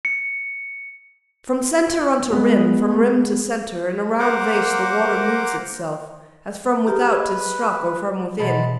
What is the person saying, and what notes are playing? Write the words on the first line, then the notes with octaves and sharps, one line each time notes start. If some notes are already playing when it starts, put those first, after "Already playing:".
From centre unto rim, from rim to centre, In a round vase the water moves itself, As from without 'tis struck or from within.
C#7
G#3 B3
A#3 A#4 C5 F#5 D6
G4 G#4 A#4 B4
B4 D#5 G#6
B2 E3 G#3 F#5 A5 B5